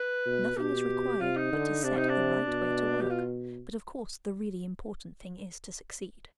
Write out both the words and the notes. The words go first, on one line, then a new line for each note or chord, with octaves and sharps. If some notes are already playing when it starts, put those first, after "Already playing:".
Nothing is required but to set the right way to work, but of course the really important thing is to succeed.
Already playing: B4
B2
B2 G4
C3 F4
D#4
D3
C3 D4
D#4
D4
B2
G4
F4